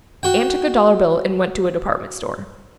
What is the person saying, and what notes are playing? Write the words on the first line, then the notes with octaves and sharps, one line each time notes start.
Ann took a dollar bill and went to a department store.
F#4 G5